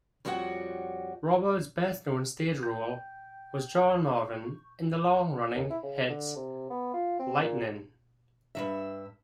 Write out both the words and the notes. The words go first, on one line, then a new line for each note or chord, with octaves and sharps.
Robards' best known stage role was John Marvin in the long-running hit "Lightnin"'.
F2 G3 F#4 C#5 F#5
G5 G6
C#6
D#2
E4
C#3
D3
C3
B3
F4
C4
A#2
G2 D#3 E5